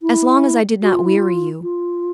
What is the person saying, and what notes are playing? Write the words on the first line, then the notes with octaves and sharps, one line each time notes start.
"As long as I did not weary you."
E4
F#4
F4
E4
F4
F4